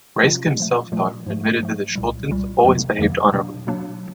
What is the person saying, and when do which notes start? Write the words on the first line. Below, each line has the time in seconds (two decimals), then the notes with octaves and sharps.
Reiske himself, however, admitted that Schultens always behaved honourably to him.
0.23 C3 F3 A#3 C#4 F4
0.58 A#2 F3 A3
0.92 A#2 F3 A3
1.26 G#2 F3 A3
1.61 G#2 F3 A3
1.95 C2 A#2 G3
2.29 C2 A#2 G3
2.64 F2 C3 D#3 F#3 A#3
2.99 F2 C3 D#3 F#3 A#3
3.33 B2 F#3 A#3 D4
3.67 B2 F#3 A#3 D4